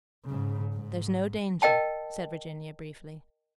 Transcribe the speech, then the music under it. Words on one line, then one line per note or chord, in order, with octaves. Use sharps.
"There's no danger," said Virginia briefly.
G#2 C#3
G#2
A#4 D#5 G5 A5